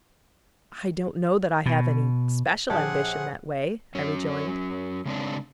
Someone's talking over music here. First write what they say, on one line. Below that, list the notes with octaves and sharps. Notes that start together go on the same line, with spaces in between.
'I don't know that I have any special ambition that way,' I rejoined.
B2
A#1 G4 G#4 C#5 F#5 A5
F#3 C#4
C#3 G#3 C4 D4